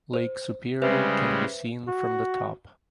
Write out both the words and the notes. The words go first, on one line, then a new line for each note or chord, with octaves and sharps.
Lake Superior can be seen from the top.
C5
C#3 G3 G#3 B4 C5 E5
F#4